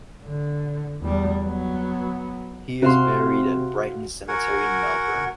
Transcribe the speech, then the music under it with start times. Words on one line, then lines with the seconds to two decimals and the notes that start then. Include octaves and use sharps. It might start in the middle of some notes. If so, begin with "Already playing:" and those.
He is buried at Brighton Cemetery in Melbourne.
0.23 D3
1.01 E2 G3
1.40 F#3 B3
2.82 C3 F#4 F5 C6
4.28 F#4 A#4 F#5 G#5